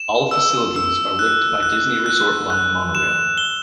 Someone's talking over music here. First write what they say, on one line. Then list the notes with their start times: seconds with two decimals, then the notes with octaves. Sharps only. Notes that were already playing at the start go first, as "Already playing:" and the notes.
All facilities are linked by Disney Resort Line monorail.
Already playing: E7
0.31 E6
0.76 E6
1.19 F#6
1.63 F#6
2.06 F#6
2.50 F#6
2.95 E7
3.38 G7